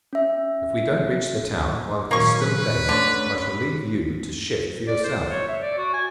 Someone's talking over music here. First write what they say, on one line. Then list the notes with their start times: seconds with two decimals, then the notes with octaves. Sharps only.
If we don't reach the town while it is still daylight I shall leave you to shift for yourself.'
0.13 C#4 E5
2.11 A#2 D#3 F#3 A#3 C#4 C#6
2.41 B4
2.89 D3 A3 C#4 C#5
3.38 B5
4.87 D5
5.04 C5
5.29 C#5
5.47 E5
5.62 D5
5.77 F#4
5.94 G#5